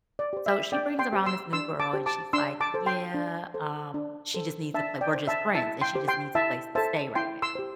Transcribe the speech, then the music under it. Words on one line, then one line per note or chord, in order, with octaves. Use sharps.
So she brings around this new girl and she's like, "Yeah, um, she just needs to play, we're just friends and she just needs a place to stay right now."
D5
G4 C5
E5
D4 D5 G5
G5 C6
G4 C5
C6 E6
D4 C6 E6
A5 D6
G4 C5
A5 D6
D4 C6 E6
A5 D6
A4 C5
G5 C6
D4
A4 C5
D4
A4 C5
D4 E5 A5
D5 G5
C5
E5 A5
E4 E5 A5
G5 C6
G4 C5
G5 C6
E4 E5 A5
A4 C5 E5 A5
E4 G5 C6
C6 E6
G4 C5